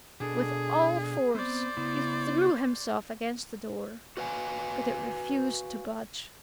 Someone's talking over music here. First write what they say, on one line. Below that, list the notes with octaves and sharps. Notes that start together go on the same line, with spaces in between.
With all force he threw himself against the door, but it refused to budge.
B2 D4 G#4 A4
B3 C4 C5 D5
C#3 B3 E4
F#4 B4 F5 G#5